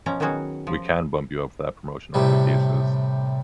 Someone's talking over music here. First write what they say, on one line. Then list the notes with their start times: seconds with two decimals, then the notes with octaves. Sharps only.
we can bump you up for that promotion," or whatever the case is.
0.06 B2 F3 C#4 A#5
0.20 D#3 F#3 B3 C#4 F#4 G#4
0.67 F3
2.14 A2 C3 G3